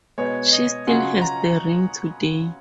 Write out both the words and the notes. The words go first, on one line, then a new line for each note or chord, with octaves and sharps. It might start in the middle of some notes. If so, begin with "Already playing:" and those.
She still has the ring today.
B2 G#3 B3 C#5
D#5
C#3 F#3 C#4 F4 F#5
A#5